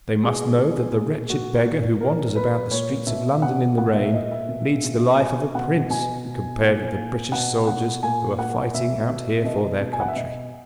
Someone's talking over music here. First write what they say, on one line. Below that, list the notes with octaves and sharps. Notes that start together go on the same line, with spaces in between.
They must know that the wretched beggar who wanders about the streets of London in the rain, leads the life of a prince compared with the British soldiers who are fighting out here for their country.
B2 G#4
B2
A#2 G#4
A#2 F#4
A#2
A#2 A#4
A#2 B4
A#2 C#5
B2 E5
B2 F#5
A#2 F#5
E5
A#2 D#5
E5
B2
B2
B2 G#5
B2 F#5
B2 G#5
B2
A#2
A#2
B2 F#5
B2 F#5
A#2 G#5
A#2 F#5
B2 E5
B2
B2 D#5
B2
G#5
F#5
E5
B2 D#5